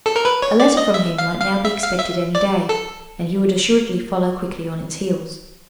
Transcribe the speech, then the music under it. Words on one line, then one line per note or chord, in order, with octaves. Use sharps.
A letter from him might now be expected any day; and he would assuredly follow quickly on its heels.
A4
A#4
B4
C#5
D5
D#5
E5
F5
F5
E5
F5
E5
D5
A4